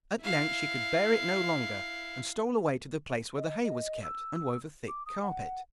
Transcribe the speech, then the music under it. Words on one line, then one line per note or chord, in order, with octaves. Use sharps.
At length she could bear it no longer, and stole away to the place where the hay was kept, and wove a thick carpet.
E4 F5
D#5
D#5
E6
D6
D#6
F#5